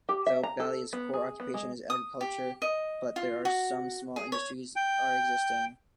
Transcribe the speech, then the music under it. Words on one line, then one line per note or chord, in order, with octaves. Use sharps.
Though Ballia's core occupation is agriculture but there are some small industries are existing.
G4
E5
A#5
A4
B3
G#4
B3
G#3
D#6
G4
D#5
F4
F#4
G#4
C#5
G5